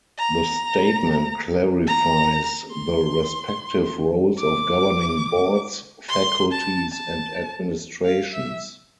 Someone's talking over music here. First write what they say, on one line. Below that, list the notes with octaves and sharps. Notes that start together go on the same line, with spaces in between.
The statement clarifies the respective roles of governing boards, faculties, and administrations.
A#5
A#5
C6
D6
C6
A5
A5
F5
E5